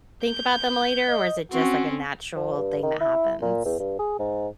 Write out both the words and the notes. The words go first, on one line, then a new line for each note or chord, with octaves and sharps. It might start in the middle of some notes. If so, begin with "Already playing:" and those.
think about them later, or is it just, like, a natural thing that happens?
G6
D#5
C4 C#4 F#4
F3
G2
D#3
E4
A#2
E2
G2
G#4
G#2